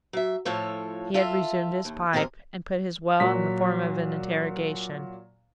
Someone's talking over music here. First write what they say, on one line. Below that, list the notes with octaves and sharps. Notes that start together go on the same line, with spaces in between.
He had resumed his pipe, and put his 'well' in the form of an interrogation.
F#3 E5
A2 F3 F4 A4 C#5
F4 A4 E5
D#2
D#2 C3 G#3 D#4 A#4
A#2 F#3 B6